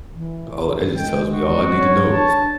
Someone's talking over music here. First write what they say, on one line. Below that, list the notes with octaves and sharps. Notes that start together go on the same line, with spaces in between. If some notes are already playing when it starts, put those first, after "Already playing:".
Oh, that just tells me all I need to know.
E3
G#3 G5
F#4
F#3 C#5
D4 A5